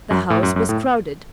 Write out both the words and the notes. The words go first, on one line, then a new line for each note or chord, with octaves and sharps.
The house was crowded.
F#2
A2
F#2
F#2
A2